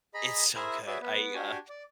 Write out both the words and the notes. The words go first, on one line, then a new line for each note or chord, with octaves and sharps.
it's so good. I, uh
G#4 D#5 A#5 B5
E4 G#4 A#4 C5 E5 G#5
F#4 G#4 B4 C#5 D5 E5
B3 B4
D4 F#4 G4 G#5
D5